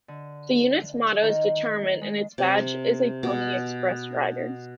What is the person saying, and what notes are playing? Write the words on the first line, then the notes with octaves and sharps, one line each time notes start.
The unit's motto is "Determined" and its badge is a Pony Express Rider.
D3
D#3
G#3
C3
B2